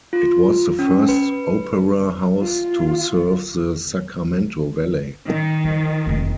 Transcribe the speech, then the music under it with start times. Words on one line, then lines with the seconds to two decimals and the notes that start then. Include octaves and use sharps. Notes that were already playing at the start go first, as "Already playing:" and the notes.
It was the first opera house to serve the Sacramento Valley.
0.13 F4
0.79 C#4
1.08 B4
2.42 F4
5.28 D#3
5.64 F3
6.06 F1 D#4